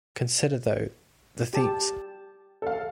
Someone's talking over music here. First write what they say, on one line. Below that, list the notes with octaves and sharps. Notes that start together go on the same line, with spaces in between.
Consider though, the themes.
G4 A5
A4 F5